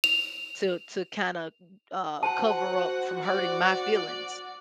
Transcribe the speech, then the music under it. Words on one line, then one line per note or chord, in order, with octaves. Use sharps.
to to kinda, uh, cover up from hurting my feelings.
F7
F#4 C5 F#5 A5
D5